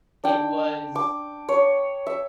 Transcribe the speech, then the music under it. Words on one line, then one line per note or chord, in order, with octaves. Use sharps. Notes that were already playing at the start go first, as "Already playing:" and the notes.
It was
D4 G5
D6
C#5
E5